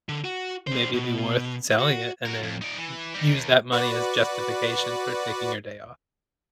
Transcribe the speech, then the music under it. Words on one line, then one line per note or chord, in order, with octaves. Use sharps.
maybe it'd be worth selling it and then u use that money as justification for taking your day off.
D3
F#4
D4 C5
B2
F#4
F#4 A#4
F2
D#4 D5
E3
G3 D#4
D#2
F#4 B4 D5